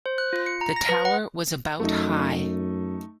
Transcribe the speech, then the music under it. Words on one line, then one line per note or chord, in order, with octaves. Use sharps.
The tower was about high.
C5
F#6
F4
C#7
A#5
A#6
B4
F#5
F#2 A3 D#4